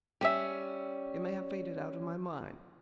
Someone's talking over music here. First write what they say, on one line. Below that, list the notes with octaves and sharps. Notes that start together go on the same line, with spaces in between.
It may have faded out of my mind.
G3 C#4 G4 E5